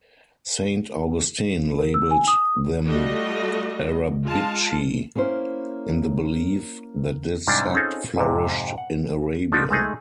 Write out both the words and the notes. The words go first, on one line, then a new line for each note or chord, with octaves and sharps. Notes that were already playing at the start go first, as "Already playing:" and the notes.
Saint Augustine labelled them "Arabici" in the belief that this sect flourished in Arabia.
A#4
E6
G#5
D#6
G3 A3 F4 F#4 D#5
G#3 F4 F5 A5
A#3 C#4 E4 C5
G#2 C3 G3 C4 D4 E4
C4 C#4 D#4 F4 G#4 A4
F2 G#2 C3
F#5
F3 A3 D4 D#4 F#4
G#3 A3 D#4 G#4